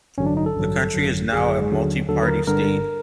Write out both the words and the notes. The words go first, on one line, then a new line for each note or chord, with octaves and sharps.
The country is now a multiparty state.
A1 G2 D3 F#3 C#4
D4
D#4
A4
A1 G2 D3 F#3
G#1 F#2 D3 F#3
G#1 F#2 D3 F#3 G#4
D#2 D3 F#3
D#2 D3 F#3 A4
B4
A#4
G1 G2 D3 A#4